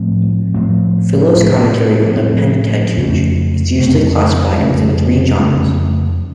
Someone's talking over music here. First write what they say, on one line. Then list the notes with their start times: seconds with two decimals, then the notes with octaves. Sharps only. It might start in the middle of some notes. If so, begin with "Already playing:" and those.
Philo's commentary on the Pentateuch is usually classified within three genres.
Already playing: A2 F3 A3 C4
0.54 A2 F3 A3 C4
1.36 A2 F3 A3 C4
2.16 A2 F3 A3 C4
2.97 F2 C#3 A3 C#4
3.78 F2 C#3 A3 C#4
4.59 F2 C#3 A3 C#4
5.40 F2 C#3 A3 C#4